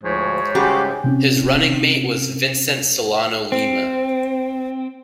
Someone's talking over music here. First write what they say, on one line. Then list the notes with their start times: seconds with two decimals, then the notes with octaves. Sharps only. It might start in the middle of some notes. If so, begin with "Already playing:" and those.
His running-mate was Vicente Solano Lima.
0.04 D2 G#2 F3 C#5
0.55 C#3 G3 F#4 G4 A#5 C6 D6
1.04 C3 C4 C#4
3.52 C4